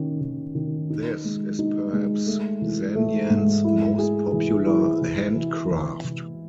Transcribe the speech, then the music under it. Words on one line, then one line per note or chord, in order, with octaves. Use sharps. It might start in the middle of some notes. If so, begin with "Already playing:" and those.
This is perhaps Zanjan's most popular handcraft.
Already playing: D#3 C#4
D#3
D#3
D#4
G#3
D#4
G#3
A3
E3
A3
G#2
E4
G#4
E3
E4
E3
E3
E3
E3